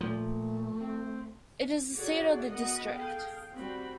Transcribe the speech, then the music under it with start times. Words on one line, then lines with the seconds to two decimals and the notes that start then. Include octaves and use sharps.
It is the seat of the district.
0.01 A#2 F3 A3
0.81 C4
1.94 F#4 G#4 A4 C#5 D5 F#5
2.48 B3 F#4 A#4 D#5 F#5
2.91 G#4 A4 F5 G5
3.55 G3 C4 F#4 B5